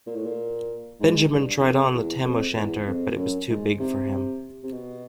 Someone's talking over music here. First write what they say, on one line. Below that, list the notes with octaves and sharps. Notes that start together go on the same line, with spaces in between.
Benjamin tried on the tam-o-shanter, but it was too big for him.
A#2
A2
A#2
G#2
G2
E2
F2
E2
F2
E2
F2
F#2
G#2
C3
C3
B2